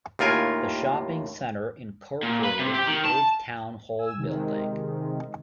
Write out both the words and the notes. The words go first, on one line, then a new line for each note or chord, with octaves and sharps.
The shopping centre incorporated the old town hall building.
D#2 A2 F4 A#4 G#5
A#2
B4
C3
G4
D#3
A5
G#5 E6
C3 D#3 G#3